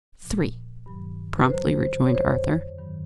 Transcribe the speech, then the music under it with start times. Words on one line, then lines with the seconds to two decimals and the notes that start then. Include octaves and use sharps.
"Three," promptly rejoined Arthur.
0.22 A#2 F3
0.86 G2 D#3 F#3
1.38 B4
1.50 F#2 D3 F#3 C5
1.82 C5
2.06 C#5
2.14 F2 D3 F#3 C5
2.78 G2 D#3 F#3